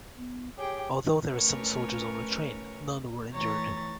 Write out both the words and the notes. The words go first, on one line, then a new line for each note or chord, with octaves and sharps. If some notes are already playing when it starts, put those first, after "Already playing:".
Although there were some soldiers on the train, none were injured.
B3
G4 G#4 C#5 G5
A3 C#4 A#4 B4 C#5
E3 A3 C#5 A#5 A6